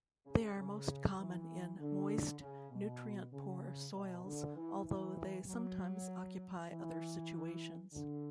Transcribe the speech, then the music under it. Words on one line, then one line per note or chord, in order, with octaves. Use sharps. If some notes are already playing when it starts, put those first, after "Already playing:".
They are most common in moist nutrient-poor soils although they sometimes occupy other situations.
C#3
C#3
E3
D3
C#3
B2
C#3
B2
D3
E3
E3
F#3
E3
D3